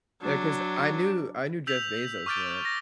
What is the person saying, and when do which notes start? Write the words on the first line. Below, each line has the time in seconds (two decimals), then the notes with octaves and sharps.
Yeah, 'cause I knew I knew Jeff Bezos went.
0.22 F#3 D4
1.67 E6 G6 B6 F7 F#7
2.26 C#6 D6 F6 G6 A6 D7
2.65 A#6